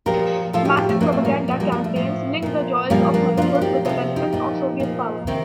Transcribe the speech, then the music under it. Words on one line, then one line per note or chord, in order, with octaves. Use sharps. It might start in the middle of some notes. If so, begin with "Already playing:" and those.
Massive propaganda campaigns linked the joys of motherhood with the benefits of Soviet power.
A#2 F3 G4 A#4
A2 F3 F4 A4
D#4 G4
D#4 G4
A3 C4
A2 F3 A#3 D4
A3 C4
G3 A#3
A#2 F3
G3 A#3
A#3 D4
A3
A2 F3
A#2 F3
A#2 F3 G3 A#3
A#3 D4
A#2 F3 D4 F4
F4
D#4 G4
C3 F3 F4 A4
D#4 G4
A#2 F3
A#2 F3
C3 D#3 C4 D#4